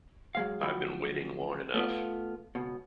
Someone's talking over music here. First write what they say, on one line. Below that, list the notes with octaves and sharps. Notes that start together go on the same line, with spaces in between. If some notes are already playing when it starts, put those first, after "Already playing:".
I've been waiting long enough.
F#3 G#3 F5
D2 F3 F#3 E5 G5 B5
A3 B3 F4
C#2 B2